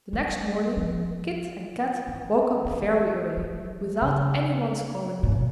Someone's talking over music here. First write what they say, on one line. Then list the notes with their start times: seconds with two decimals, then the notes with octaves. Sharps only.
The next morning Kit and Kat woke up very early, without any one's calling them.
0.13 G3
0.77 F3
2.07 E3
2.65 D#3
2.73 E3
3.37 F#3
4.02 C#3
5.23 A#2
5.32 B2